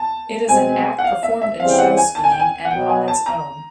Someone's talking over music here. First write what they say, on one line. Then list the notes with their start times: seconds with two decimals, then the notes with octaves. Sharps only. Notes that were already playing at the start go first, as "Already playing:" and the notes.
It is an act performed in show skiing, and on its own.
Already playing: A5
0.49 B2 G#3 C4 G#5
0.99 F#5
1.04 F5
1.23 E5
1.42 E5
1.60 C#3 E3 G3 C4 F5
1.70 G5
1.79 F#5
1.97 G#5
2.15 A5
2.24 G#5
2.32 G5
2.40 G#5
2.65 F#5
2.71 B2 F#3 B3 G5
2.89 G#5
3.08 A5
3.26 A#5